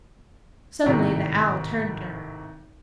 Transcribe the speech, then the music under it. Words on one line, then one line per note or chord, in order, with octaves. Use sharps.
Suddenly the Owl turned to her.
G#1 A2 C3